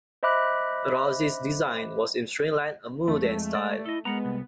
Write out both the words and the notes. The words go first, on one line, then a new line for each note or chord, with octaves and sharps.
Rowse's design was in Streamline Moderne style.
C5 D#5 E5 B5 D6 F#6
F2 A3
G#3
D5
E4 A4 D#5
G#3 B3 A#4 F#5 A#5
C2